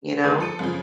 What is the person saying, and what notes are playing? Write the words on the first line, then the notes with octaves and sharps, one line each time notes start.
You know?
G#1 D#3 A3 G#4 B4 D#6
F3 A4 D#7
F#2 C#3 F3